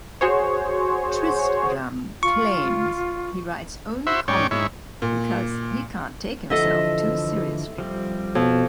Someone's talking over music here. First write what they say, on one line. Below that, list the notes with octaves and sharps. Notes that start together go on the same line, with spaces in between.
Tristram claims he writes only comedy because he can't take himself too seriously.
F#4 G#4 C5 C#5
F4 C#6
E4 F#4 C5 E5
G#2 C#4 C#5 D5 G5
G#2 E4 C#5
A#2
D3 E3 F3 A4 D#5 E5
F3 G3 C4
F2 B2